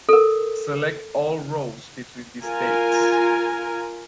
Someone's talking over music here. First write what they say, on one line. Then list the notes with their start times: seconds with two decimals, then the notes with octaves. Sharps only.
Select all rows between these dates.
0.09 A4 A#4
2.44 F4 A#4 G#5